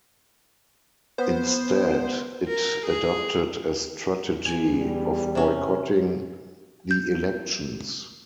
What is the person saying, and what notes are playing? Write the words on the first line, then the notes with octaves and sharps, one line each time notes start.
Instead, it adopted a strategy of boycotting the elections.
B3 B4 C5
A#4
G#4
E2 G#5
G3
C3 C#4
G6